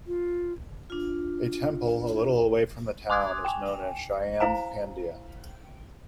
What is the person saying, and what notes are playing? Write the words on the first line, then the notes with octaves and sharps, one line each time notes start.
A temple, a little away from the town, is known as Shyam Pandia.
F4
D4 F4
G#5 C6 D6 D#6 F#6 G#6
G5 G#5
E4 C5 F5 G#5 A#5